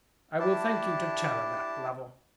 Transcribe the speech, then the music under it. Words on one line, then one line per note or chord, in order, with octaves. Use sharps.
I will thank you to tell her that, Lovell.
D4 E4 G4 A5